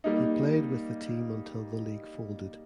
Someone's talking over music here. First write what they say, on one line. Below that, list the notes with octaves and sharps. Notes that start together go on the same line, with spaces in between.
He played with the team until the league folded.
G3 A#3 D#4